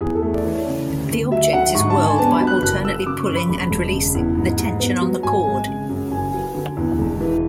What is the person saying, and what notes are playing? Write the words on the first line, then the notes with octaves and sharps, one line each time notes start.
The object is whirled by alternately pulling and releasing the tension on the cord.
E2 G#4
A4
A3
D5
E3 C#5
C#3
D2
D2
F#3 E5
D3 F#5
G#2 C#6
A5
D4
G#5
B3 A5
B5
F#3
F#6
F#1 F#6
F#3 E6
C#3 D6
C#6
F#2
B5
E1 B5
E1
C#3
E2
G#2
G#2
B3
F#3
G#1 G#5
G#3
C#3
F#2
F#1 G#5
F#3
D3
E2
E1
E3